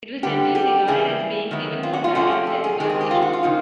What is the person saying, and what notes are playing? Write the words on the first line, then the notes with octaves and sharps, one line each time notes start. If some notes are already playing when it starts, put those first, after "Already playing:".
It was generally regarded as being even more daring than the first issue.
D3 G3 B3 G4
G4
C#3 E3 G3 E4 G#4
D#3 F#3 B3 E4
F4
F#4
F4
C3 F3 A3 C#4 F4 F#4
G4
A4
G#4
D#3 G#3 C4 G4
G#4
G4
F4
F#4
F4
C#3 F3 A#3 D#4